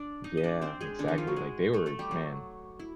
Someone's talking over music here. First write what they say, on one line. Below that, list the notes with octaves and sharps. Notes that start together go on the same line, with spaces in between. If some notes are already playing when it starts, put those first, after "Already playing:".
Yeah. Exactly. Like, they were man,
Already playing: D4 D5
D#4 D#5
D#5
D4 D5
C4 C5
G#3 G#4
D3 D4
D#3 D#4
F3 F4
F#3 F#4
G#3 G#4
A3 A4
A3 A4
G3 G4
F#3 F#4
E4